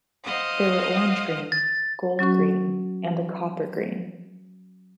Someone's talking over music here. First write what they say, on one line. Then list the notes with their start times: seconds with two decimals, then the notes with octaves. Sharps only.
There were orange-green, gold-green, and a copper-green.
0.25 C5 D#5 F5 F#5 D#6
1.52 A6
2.19 F#3 C#4 F#4 C#6